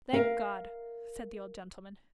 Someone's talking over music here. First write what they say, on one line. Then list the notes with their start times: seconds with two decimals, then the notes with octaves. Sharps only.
'Thank God!' said the old gentleman.
0.13 A#4 E5 F5